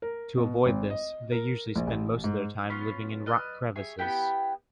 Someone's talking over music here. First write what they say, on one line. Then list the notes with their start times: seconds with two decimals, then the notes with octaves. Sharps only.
To avoid this, they usually spend most of their time living in rock crevices.
0.02 A#4
0.38 B2
0.66 G#1
0.90 D#5
1.32 A#4
1.76 A#1
1.87 A1
2.24 G#2
2.70 B3 C#4 F4 C#5
3.26 B4 D5 D#5 F6
3.76 G#4 C#5 E5
3.99 B3 E4 G4 G5